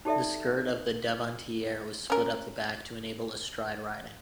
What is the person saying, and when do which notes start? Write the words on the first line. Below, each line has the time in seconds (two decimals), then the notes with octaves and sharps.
The skirt of the devantiere was split up the back to enable astride riding.
0.05 D#4 G4 A4 D5 E5
2.10 C#4 A#4